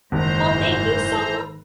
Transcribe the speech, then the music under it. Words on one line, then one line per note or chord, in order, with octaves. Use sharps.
Well, thank you so
F#1 G#2 D#3 E3 C5 A#5